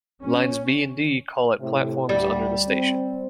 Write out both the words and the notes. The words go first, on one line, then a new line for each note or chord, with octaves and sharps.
Lines B and D call at platforms under the station.
C#4
A2 C3
D2 G3 D5
C4